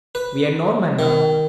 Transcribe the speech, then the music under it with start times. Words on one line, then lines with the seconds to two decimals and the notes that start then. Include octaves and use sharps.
We are Norman now.
0.15 B4
0.99 D#3